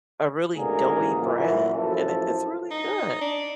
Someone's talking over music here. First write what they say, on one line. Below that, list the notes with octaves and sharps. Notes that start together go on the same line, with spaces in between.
a really doughy bread, and it it's really good.
A1 G#2 D3 A#3 G#4 A#4
F#2 A#2 E3
A1 F#2 E3 F3 A4
D#4
D4